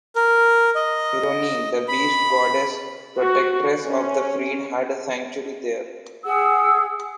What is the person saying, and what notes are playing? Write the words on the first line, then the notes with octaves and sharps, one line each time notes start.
Féronie, the beast goddess, protectress of the freed, had a sanctuary there.
A#4
D#5
B5
F#4
C#4
G#4 F#5 E6